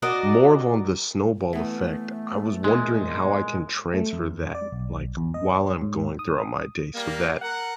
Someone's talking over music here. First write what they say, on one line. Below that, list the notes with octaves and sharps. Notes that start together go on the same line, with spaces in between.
more of on the snowball effect, I was wondering how I can transfer that, like, while I'm going throughout my day so that
F#4 A#4 D5 D#5
E3 A3 B3
E2 A#2 G#3
A3
F2
D5
B1
E2
D#5
C#5
G#2
D#6
G3 A#3
A#4 F#5